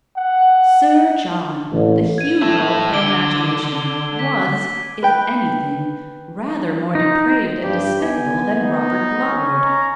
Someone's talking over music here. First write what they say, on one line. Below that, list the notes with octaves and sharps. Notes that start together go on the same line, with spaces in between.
Sir John, the Hugo of her imagination, was, if anything, rather more depraved and despicable than Robert Bludward.
F#5
A1
G#6 D#7
E4 A4 E6
D3 D6 D7 G7
B6
B4 G5
D#4
G2 G4
B3 G#5
D#4
C#4
A#5